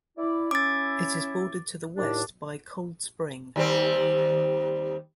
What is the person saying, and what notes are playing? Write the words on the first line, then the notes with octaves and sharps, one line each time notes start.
It is bordered to the west by Cold Spring.
E4 D5
C#4 E4 D6 A6
D#2 A2 D4
D#2 G3 C4